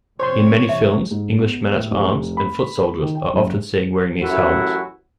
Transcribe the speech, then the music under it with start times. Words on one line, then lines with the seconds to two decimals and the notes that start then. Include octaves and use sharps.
In many films, English men-at-arms and foot soldiers are often seen wearing these helms.
0.20 F2 C3 C4 C5 C#5 C6
0.69 G2 C3 E3 E5
1.11 G#2
1.39 B3
1.75 A2
1.91 F1
2.37 B5
3.02 D#3
3.15 G5
3.34 F#1
4.22 A1 F#2 A3 E4 F#4